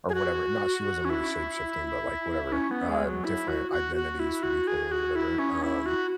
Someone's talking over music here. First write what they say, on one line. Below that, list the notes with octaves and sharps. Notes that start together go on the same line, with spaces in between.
or whatever not she wasn't really shape shifting, but like whatever, uh, different identities would be cool or whatever, um.
G#4
F#4
C#4
E4
C#4
B3
G#3
F#3
E4
F#4
F#4
F#4
E4
F#4
G#4
F#4
E4
C#4
E4
F#4